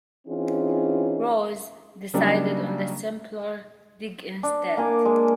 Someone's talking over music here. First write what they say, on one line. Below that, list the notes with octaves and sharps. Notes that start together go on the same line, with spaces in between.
Rose decided on the simpler Digg instead.
E3 C4 C#4 D#4 F4 G#4
C#3 F#3 G3 A#3 D4 D#4
D4
A#3 G#5 D6
G#3